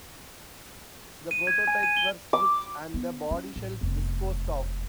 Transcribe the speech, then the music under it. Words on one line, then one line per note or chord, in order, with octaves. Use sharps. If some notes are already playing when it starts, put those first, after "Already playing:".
The prototypes were stripped and the bodyshells disposed of.
D#7
G#6
G#5
D#7
G7
D6
B3
C#4
A1
F1 E2